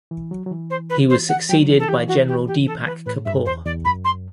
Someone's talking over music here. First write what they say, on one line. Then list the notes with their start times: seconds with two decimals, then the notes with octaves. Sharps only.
He was succeeded by General Deepak Kapoor.
0.11 E3
0.31 F#3
0.46 F#3
0.51 E3
0.70 C5
0.90 B4
1.10 C5
1.29 F#5
1.49 F#3 G5
1.69 E3
1.79 A4
1.88 E3 G4
2.08 E3 F#4
2.28 G4
2.47 G4
2.67 A4
2.86 B4
3.06 A2 B4
3.25 G2 E5
3.46 E2 C5
3.65 E2 D5
3.85 F#2 B5
4.05 C6